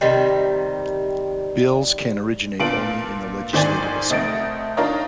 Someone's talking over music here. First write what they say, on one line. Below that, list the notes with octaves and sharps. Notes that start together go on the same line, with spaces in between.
Bills can originate only in the Legislative Assembly.
C3 D#3 G3
A#2 B3 D4 F4 D7 F#7
G#2 D#3 C5 D5 G#5 A6
C2 A3 C4 D#5 A6 D7
D4 D#4 F4 A#4 C#5 D#5